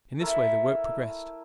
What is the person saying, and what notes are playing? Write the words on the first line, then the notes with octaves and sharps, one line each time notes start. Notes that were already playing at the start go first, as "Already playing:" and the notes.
In this way the work progressed.
A3 E4 A#4 E5